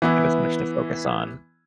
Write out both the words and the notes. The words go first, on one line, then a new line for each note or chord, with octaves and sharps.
have as much to focus on.
E3 B3 E4